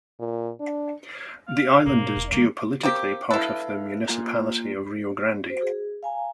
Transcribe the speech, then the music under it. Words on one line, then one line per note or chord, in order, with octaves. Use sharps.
The island is geopolitically part of the municipality of Rio Grande.
A#2
D4
F5
G#2 B2 A#3
E1
E3 G#3 A#3
A#3 C4 G4
E4 A4 B4 F5
A#3 F4 A#5
F#4 C5
G#4
F5 G#5 A#5